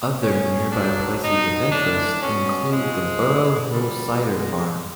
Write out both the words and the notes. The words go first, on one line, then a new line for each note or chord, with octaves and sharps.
Other nearby places of interest include the Burrow Hill Cider Farm.
B2 F#3 C#4
G#2 D#3 F#3 D4
B2 F#3 D#4
A2 E3 D4
B2 F#3 C#4
G#2 F3 G#3
A2 F#3
F#2 D3 F3 G3
B2 F#3 G#3